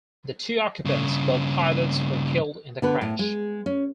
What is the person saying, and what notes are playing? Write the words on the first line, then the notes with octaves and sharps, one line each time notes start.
The two occupants, both pilots, were killed in the crash.
G2 C#3
D3 B3 B4
A2
G#3
C#4